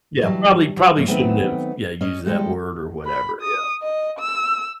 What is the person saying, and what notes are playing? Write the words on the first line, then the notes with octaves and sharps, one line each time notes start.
Yeah, probably probably shouldn't have, yeah, used that word or whatever, yeah.
D2 E3 F#3 G3 A5
F#3
F#2 F3 F#3 A#3 C#5
D#3 F#3 A3 B3 C4
C#4 D#5
E2 G3 G#3 A4 G5
B5
D#6
D#5
E6